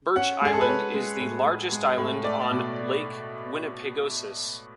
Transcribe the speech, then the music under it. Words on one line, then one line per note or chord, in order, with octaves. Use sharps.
Birch Island is the largest island on Lake Winnipegosis.
C#4 F#5
G#3 G#4
A4
B4
C#4 C#5
G#3
A2
G#3
G#3
A2
A3 D5
B2